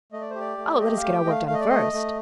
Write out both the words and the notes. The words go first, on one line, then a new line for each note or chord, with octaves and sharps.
'Oh, let us get our work done first.'
A3 D#5
D5
C5
G4
D5
A3
G4 D#5
F5
A3
G5
A3 D#5
F5
A3 F5
D#5
D5
A3 D#5
A3